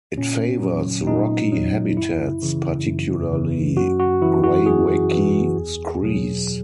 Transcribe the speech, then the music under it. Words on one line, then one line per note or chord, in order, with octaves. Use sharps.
It favours rocky habitats, particularly greywacke screes.
A#2 C#4
F#3
A#2 D#4
F#3
F#2 E4
C#3 E3
F#2
C#3 E3
F#2 F#4
F#4
E3 E4
F#4
F#2 G#4
E3
E2
B2 F#3